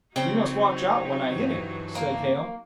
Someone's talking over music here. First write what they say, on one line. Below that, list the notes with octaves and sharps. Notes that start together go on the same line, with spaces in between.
"You must watch out, when I hit him," said Hale.
C#3 F#3 C4 D#4
G2 E3
A#3